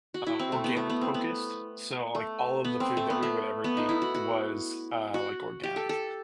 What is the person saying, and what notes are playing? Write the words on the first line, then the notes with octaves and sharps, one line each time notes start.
uh, organic-focused, so, like, all of the food that we would ever eat was, uh, like, organic.
F#4
E4
C4
A3
B3
A3
B3
C4
B3
A3
B3
C4
A3
B3
A3
B3
D#4
E4
F#4
F#4
F#4
G4
A4
A4